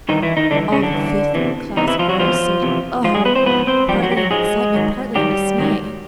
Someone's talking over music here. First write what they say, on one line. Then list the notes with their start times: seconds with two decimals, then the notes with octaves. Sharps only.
All the fifth-class girls said, "Oh!" partly in excitement, partly in dismay.
0.09 G2 D#3 E3 D#4
0.22 E3 E4
0.37 D#3 D#4
0.51 G2 D3 E3 D4
0.72 C#3 C#4
0.82 D3 D4
0.93 G2 E3
1.35 E2 C3 E3
1.77 E2 C3 E3 D#4
1.88 E3 E4
1.99 F3 F4
2.09 F#3 F#4
2.19 E2 C3 E3 F3 F4
2.61 E2 C3 E3
3.04 G#2 F3 F4
3.15 G#3 G#4
3.25 B3 B4
3.35 C4 C5
3.46 G#2 F3 B3 B4
3.67 C4 C5
3.88 G#2 F3 G3 G4
4.02 F#3 F#4
4.11 G4
4.17 F#3 F#4
4.30 G#2 F3 G#3 G#4
4.74 G#2 D#3 F#3
5.15 G#2 D#3 F#3 G3 G4
5.58 G#2 D#3 F#3